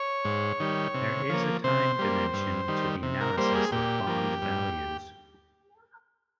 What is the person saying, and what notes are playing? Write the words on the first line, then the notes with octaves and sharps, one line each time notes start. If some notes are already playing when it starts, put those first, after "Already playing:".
There is a time dimension to the analysis of bond values.
Already playing: C#5
G#2
D#3 G3
C3
F3 A#3
C3 C5
G3 A#3
G2
D#3 G3
C3
A#4
G3 A#3 C5
G#4
A#2 G4
F3 A#3
G2